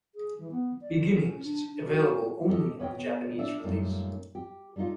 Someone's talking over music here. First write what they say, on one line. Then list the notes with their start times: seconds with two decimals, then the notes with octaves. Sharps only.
"Beginnings" is available only on the Japanese release.
0.15 G#4
0.38 E3
0.51 B3
0.81 D5
1.14 C#4
1.44 D4
1.73 D4
1.86 F#4
2.49 G4 A4 C5 D#5
2.79 B3 C#5 D#5 G5
3.38 D4 D5 E5
3.64 F#2 A#2 G3 A3 A#3 D#4
4.35 G4
4.76 G3 A3 D4 D#4 F4